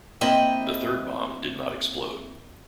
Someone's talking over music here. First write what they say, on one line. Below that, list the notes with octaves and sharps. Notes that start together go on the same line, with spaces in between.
The third bomb did not explode.
A#3 C4 E4 D#5 G5